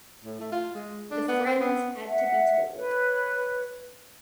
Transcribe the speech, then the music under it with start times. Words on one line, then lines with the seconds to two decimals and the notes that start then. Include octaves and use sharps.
The friends had to be told.
0.24 A2
0.40 A3
0.52 F4
0.75 G#3
1.11 D4
1.28 B3
1.46 C4
1.61 B3
2.07 E5 F#5
2.75 B4 C#5